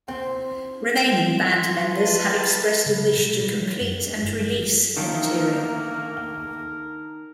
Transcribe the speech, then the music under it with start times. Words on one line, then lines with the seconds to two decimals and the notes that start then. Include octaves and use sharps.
Remaining band members have expressed a wish to complete and release the material.
0.08 C4
1.37 F4
1.92 B4 A5
2.86 C#3
3.17 B2
3.41 G3
3.61 F#3
3.81 F#2
4.06 D4
4.21 G1
4.97 D#3 A3 A#3 D4 D#4 A#4 F5